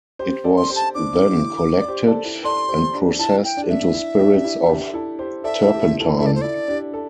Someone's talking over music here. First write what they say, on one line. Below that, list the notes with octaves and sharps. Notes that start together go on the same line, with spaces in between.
It was then collected and processed into spirits of turpentine.
G4 C5
A4 D5
C6
G4 C5
A5
D4 D6
E4
E4
D5
G4 C5
A4 D5
E4
A4 D5 C6
G4 C5
D4 G4
E4 A5
G5
D4
E5
E4
D4 G4
G4
E4
D4 G4
E4 A4
G4 C5
A4 D5 E5
E4 A4
G4
E4
E4 A4
E4 A4 E5
D5
C5
E4 D5
D4 G4
A4